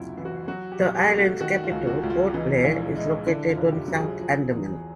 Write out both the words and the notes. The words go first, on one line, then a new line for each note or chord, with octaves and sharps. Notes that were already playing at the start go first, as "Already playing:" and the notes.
The islands' capital, Port Blair, is located on South Andaman.
Already playing: F#1 D2 C3 E4 F4
E3
F#4
F#3 F#4
G4
B1
G4
A3
F#4
D#3 F#4
F4
C#2
F#4
C#2
F4
E3 D#4
A#1 E4
G#3 D#4
D3 E4
F4
F1
G4
F#3
G#4
F3
E2